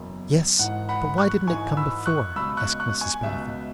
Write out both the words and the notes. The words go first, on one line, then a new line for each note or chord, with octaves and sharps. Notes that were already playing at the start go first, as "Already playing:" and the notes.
'Yes; but why didn't it come before?' asked Mrs Boffin.
Already playing: F#1 E2 B2
G#1 G#2 E3 F#5
F#5 B5
C#6 F#6
G#1 G#2 E3 G#5 C#6
B5 E6
C#6 F#6
C#2 B2 B5 E6
C#6 F#6
C#6 F#6
G#5 C#6
C#2 B2 E5